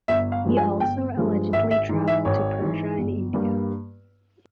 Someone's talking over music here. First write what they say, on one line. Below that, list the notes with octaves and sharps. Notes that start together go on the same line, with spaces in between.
He also allegedly travelled to Persia and India.
G1 E5
F5
G2 F3 G#3
G#5
G1 G5
G2 F3 G#3
G#1 E5
E5
G#2 E3
E5
G#1 C#5
G#2 E3
G1
G2 G3 A#3